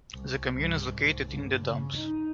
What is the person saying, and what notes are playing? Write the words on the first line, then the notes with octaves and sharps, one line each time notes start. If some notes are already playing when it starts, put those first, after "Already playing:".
The commune is located in the Dombes.
C2
C2 G2
C2 G#2
G2 D3
C#3
D#4